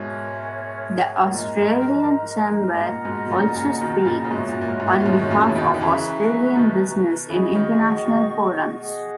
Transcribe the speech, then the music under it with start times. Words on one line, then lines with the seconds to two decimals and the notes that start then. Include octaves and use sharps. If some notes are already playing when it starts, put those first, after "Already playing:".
The Australian Chamber also speaks on behalf of Australian business in international forums.
Already playing: G#2 B2 A#4 C#5 E5 G#5
1.31 A#2 A#4 D#5 A#5
1.39 G#2
1.57 G#2
2.74 G#2
2.81 A#2 A#4 D#5 F#5 A#5
3.05 G#2 B2
3.26 B2
3.31 A#2 C#3
3.56 A#2 C#3
3.81 B2 D#3
4.05 A#2 C#3
4.24 C#3
4.30 G#2 B2 F#4 A#4 C#5 E5
4.49 A#2
4.61 A#2
4.68 G#2
4.80 G#2
4.87 A#2
5.00 A#2
5.06 G#2 B2
5.20 D#3
5.30 A#2 C#3
5.49 E3
5.55 B2 D#3
5.74 D#3
5.80 C#3 E3 B4 E5 A#5 C#6
6.56 B2 D#3
7.30 C#3 E3 G#4 D#5 F#5 C#6
7.55 D#3 F#3
7.72 G#3
7.80 D#3 F#3
8.05 B2 D#3
8.80 G#4 D#5 F#5